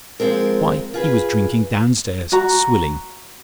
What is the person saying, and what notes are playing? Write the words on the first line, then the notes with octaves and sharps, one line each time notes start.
Why, he was drinking downstairs--swilling.
F3 G#3 C4 A#4
F4 G#4 B4
F#4 A#5